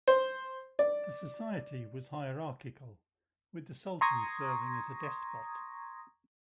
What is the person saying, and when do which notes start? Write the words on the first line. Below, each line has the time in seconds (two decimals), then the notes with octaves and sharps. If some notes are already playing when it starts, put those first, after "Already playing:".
The society was hierarchical, with the sultan serving as despot.
0.08 C5
0.79 D5
4.01 A#5 C6 C#6 D#6 G#6 A#6